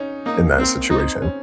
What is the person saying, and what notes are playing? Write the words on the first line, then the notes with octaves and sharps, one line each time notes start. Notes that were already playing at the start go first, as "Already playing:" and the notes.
in that situation.
Already playing: C#4 D#4
A#3 D#4
C4
C4 D#4
C#4